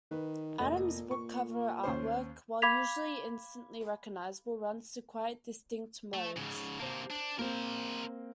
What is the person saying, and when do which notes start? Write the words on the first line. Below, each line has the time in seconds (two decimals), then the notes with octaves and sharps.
Adam's book cover artwork, while usually instantly recognizable, runs to quite distinct modes.
0.11 D#3 B4
0.59 F1 A#2 D#5
1.11 C#6
1.84 D#2 C#4 C5
2.62 F5 B5 D6 G#6 B6 F7
6.14 A3
6.37 G#2 C#3
6.80 C3 A#3 C5 A5
7.10 D4
7.39 A#3 C4 A#4 C5